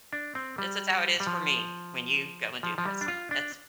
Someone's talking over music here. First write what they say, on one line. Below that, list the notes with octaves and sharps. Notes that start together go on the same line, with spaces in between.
This is how it is for me when you go and do this. That's f
D4
C4
G3
G3
F3
F3
F3
G3
D4
F4
D4